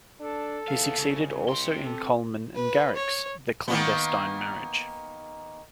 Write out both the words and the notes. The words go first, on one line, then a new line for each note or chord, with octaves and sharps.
He succeeded also in Colman and Garrick's "The Clandestine Marriage".
D4 A4
E2 D#3 F5
C2 C#3
C3 C6
A4
B4
C#5
D#3 A#3 B3